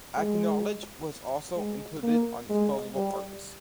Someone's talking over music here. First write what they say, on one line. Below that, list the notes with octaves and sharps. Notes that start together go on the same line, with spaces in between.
"Acknowledge" was also included on "Disposable Arts".
G#3
G#3
A#3
G#3
G3